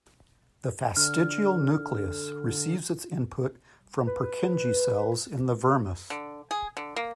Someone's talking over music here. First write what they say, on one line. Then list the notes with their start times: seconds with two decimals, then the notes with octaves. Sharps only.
The fastigial nucleus receives its input from Purkinje cells in the vermis.
0.97 D3 F6
4.07 B4
6.10 D3
6.51 G#4
6.77 D3
6.96 A#3